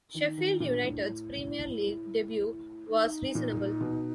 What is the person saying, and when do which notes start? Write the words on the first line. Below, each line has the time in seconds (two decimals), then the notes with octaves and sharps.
Sheffield United's Premier League debut was reasonable.
0.14 D#3 D#4 E4
0.37 D#3
0.60 A#2 D4
0.84 A2
1.05 E4
2.89 D#4
3.35 A#2
3.81 B2